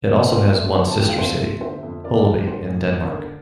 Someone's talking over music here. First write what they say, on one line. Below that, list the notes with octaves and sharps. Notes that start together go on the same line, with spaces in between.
It also has one sister city: Holeby in Denmark.
A#1
C4 C5
A3
D3 C5
A5
F2 G5
F5
C4 C5 E5
A3
D3 C5 E5
F2
C4 A#4 D5
A3
G2 C5
A1
A1
A#4
D3